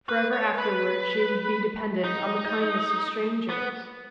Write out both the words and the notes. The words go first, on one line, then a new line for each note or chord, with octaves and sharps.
Forever afterward she would be dependent on the kindness of strangers.
B4
C#5
B4
D#4
B3